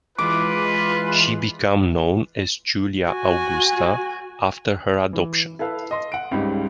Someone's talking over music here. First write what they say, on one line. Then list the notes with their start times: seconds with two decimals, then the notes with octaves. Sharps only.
She became known as Julia Augusta after her adoption.
0.18 E3 G#3 F4 B4 D6
3.10 F#4 G#5
5.13 E3
5.59 E4 A4 B4 F5
5.91 D#5 C6
6.12 F#5 D7
6.31 C#2 G#2 C#3 G3